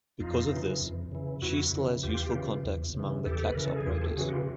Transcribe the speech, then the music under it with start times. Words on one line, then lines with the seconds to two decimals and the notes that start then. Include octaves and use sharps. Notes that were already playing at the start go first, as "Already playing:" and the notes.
Because of this, she still has useful contacts amongst the clacks operators.
0.20 F2 D#4 F4
0.51 C#3 E3
0.81 F2
1.12 C#3 E3
1.42 F2 E4 F#4
1.73 C#3 E3
2.03 E2 F4 G4
2.34 C#3 E3
2.65 E2
2.94 C#3 E3
3.25 E2 G4 A4
3.44 B4
3.55 C#3 E3 A#4
3.66 A4
3.76 G#4
3.86 E2 F4 G4
3.97 G#4
4.02 G4 A4
4.17 C#3 E3 F#4 G#4
4.29 F#4
4.32 F4 G4